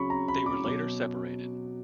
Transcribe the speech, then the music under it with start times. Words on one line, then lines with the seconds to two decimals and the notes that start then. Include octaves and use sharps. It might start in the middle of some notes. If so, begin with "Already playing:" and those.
They were later separated.
Already playing: C#3 F#3 B5 C#6
0.10 A#5
0.28 B5
0.46 D6
0.64 B2 F#3 D6